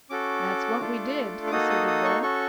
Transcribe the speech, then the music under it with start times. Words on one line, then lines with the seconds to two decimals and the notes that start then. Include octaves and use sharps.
"That's what we did," asserted Will.
0.10 C#4 F#4 A4 D6
0.80 A3 D4 F4 A4
1.47 D6
1.51 A#3 D#4 F#4 A4 D#6
1.70 D#6
1.87 D#6
2.05 C#6
2.22 C#4 F#4 A4 C#6